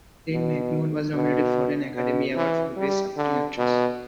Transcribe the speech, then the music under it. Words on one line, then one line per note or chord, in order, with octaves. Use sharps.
Aline MacMahon was nominated for an Academy Award for Best Supporting Actress.
B2
B2
B2
E3
G3
D3
B2